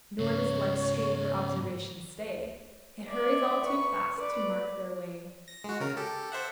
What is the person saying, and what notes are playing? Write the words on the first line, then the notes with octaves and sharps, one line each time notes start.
Nor does life's stream for observation stay; It hurries all too fast to mark their way.
G#2 C#3 C#5
D5 E5
B4 C#6
B4 D5
A#6
G#3 F#4
C#3 A#4
G4 A4
C5 E5 F#5